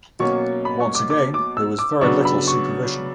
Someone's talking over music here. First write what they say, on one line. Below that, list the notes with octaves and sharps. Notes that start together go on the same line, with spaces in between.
Once again there was very little supervision.
B2 F#3 A#3 C#4 C#6
B5
C#6
D6
D6
D6
E6
D6
C#3 F#3 B3 D4 C#6
B5
C#6